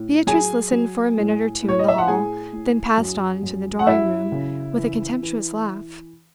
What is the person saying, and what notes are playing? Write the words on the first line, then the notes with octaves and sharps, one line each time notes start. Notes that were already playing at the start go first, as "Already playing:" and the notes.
Beatrice listened for a minute or two in the hall, then passed on into the drawing-room with a contemptuous laugh.
Already playing: A2
F#3 G#4 G#5
F#3
A2
A2
C#5
D#5
E5
F#5
A2 G#4 G#5
A2
F#2
F#2
F#5
F#2 E4 E5
C#3
E3
E3